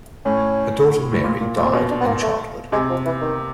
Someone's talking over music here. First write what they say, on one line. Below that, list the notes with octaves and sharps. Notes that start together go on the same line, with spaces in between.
A daughter Mary died in childhood.
A2 C#4
A2
A#2
A#2
A#2
C4
B2 C#4
D4
B3
A#3
A3
C3 G#3
F3
E3
D#3